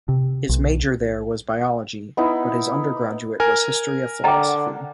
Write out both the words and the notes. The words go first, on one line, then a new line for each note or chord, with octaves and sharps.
His major there was biology but his undergraduate was history of philosophy.
C3
B1
B3 D#4 E4
A#4 G#5
D3 D#5 F#5 G5 A#5 D6